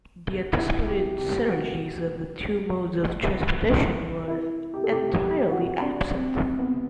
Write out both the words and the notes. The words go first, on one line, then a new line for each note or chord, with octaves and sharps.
The anticipated synergies of the two modes of transportation were entirely absent.
E4
G4
G4
F#4
E4
G4
A4
G4
G4
F#4
D4
C4
B3